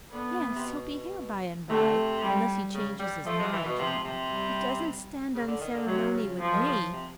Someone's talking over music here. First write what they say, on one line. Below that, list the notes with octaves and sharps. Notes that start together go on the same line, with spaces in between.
"Yes, he'll be here by-and-by; unless he changes his mind, you know. He doesn't stand on ceremony with me."
D3 B3
E3
C3
B2
C3 A3
G3
C#3
G3
F3 A3
G#3
E3
B2
C3 F3
C3
G3
C#3
D3
D#3
D3
C3 F#3
C#3
F3
D#3
C#3
C3